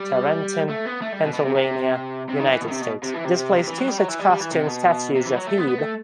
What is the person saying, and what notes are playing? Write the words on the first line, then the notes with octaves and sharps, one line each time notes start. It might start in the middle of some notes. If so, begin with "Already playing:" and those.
Tarentum, Pennsylvania, United States displays two such cast stone statues of Hebe.
Already playing: G3
A3
B3
A3
G3
B2
B2
C3
C3
C3
D#3
E3
B2
D#3
C3
B2
C3
E3
C3
C3
E3
F#3
G3
F#3
E3
G3
G3
E3
C3
B2
C3
E3
F#3
A3
B3
B3
A3